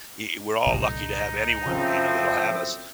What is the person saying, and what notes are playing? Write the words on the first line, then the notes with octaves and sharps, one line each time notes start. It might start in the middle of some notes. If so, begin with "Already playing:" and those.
y we're all lucky to have anyone, you know, that'll have us.
C2 A#2 D3 D#4
F#2 A2 C#3 F3 C4